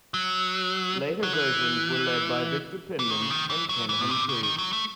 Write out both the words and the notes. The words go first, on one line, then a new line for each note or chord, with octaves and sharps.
Later versions were led by Victor Penman and Ken Humphries.
F#3
F#3
E3
E3
D#3
C#3
D#3
E3
F#3
E3
A2
C3
C#3
D#3
F#3
A3